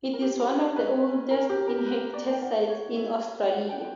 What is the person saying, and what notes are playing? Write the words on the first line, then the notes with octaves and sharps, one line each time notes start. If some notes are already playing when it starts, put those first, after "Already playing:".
It is one of the oldest inhabited sites in Australia.
A#4
G4
A#4
C#5
B4
A#4
G4
A#4
B4
D5
G5
F#5
C#5
E5
F#5
G5